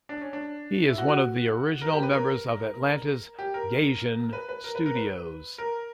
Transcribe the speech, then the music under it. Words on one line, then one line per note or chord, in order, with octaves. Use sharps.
He is one of the original members of Atlanta's Gaijin Studios.
D4
C#4
D4
E4
F#4
F#4
A#4
G4
B4
A#4
G4
A#4
B4
B4
A#4
B4
A#4
B4
A#4